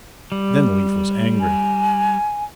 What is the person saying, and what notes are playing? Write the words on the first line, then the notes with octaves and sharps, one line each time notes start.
Then Leif was angry.
G3
G#5